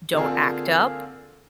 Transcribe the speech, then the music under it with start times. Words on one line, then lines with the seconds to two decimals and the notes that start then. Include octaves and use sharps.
"Don't act up,
0.14 D3 A#3 C4 F4 G#4 A4